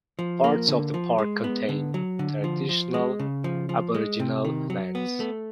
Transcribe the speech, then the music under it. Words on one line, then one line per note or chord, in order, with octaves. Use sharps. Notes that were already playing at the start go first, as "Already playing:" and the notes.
Parts of the park contain traditional aboriginal lands.
F3
A#3
D3
F3
G#3
B3
D3
F#3
D3
F3
F3
G#3
C#3
F3
F3
G#3
C3
D#3
F#3
B3
A3